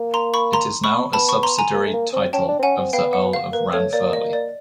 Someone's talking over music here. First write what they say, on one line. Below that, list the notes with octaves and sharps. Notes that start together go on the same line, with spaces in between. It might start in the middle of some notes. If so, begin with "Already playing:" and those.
It is now a subsidiary title of the Earl of Ranfurly.
Already playing: A#3
A#5 C6
B5 C#6
A#5 C6
B5 C#6
B3 A5 B5
B5 C#6
A#5 C6
G#5 A#5
A#3
A3
A#3
C4
C#4 G5 A5
D4
C4
C#4 F#5 G#5
C4
B3 F5 G5
F#5
F5
A#3 B4
A3 C#5
A#3 D5
D#5
D5